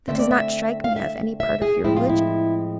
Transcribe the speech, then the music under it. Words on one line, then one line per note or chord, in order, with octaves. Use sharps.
That does not strike me as any part of your religion.'
D3 A3 C4 E5
D5
E5
F5
E5
E5
G#4
A2 F3 G#3 C4 E4
F4
E4